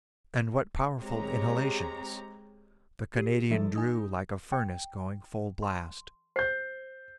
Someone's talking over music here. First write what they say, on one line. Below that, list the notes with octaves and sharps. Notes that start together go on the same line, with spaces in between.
And what powerful inhalations! The Canadian "drew" like a furnace going full blast.
G#3 C4 G4 C#5 A#5
G4
F3 G3 E4 A4
D#4 G#5 D#6
G5
C6
C5 G6 C7